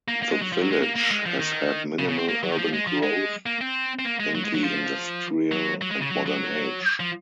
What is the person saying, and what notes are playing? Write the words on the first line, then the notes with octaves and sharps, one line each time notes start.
The village has had minimal urban growth in the industrial and modern age.
A#3
A#3
G#3
F#3
F3
F#3
G#3
A#3
A#3
G#3
F3
D#3
C#3
C#3
C4
A#3
F#3
D#3
F3
G#3
F3
G#3
A#3
C4
C4
A#3
G#3
F#3
G#3
F#3
F3
F#3
F#3
G#3
C#3
F#3
F#3
F3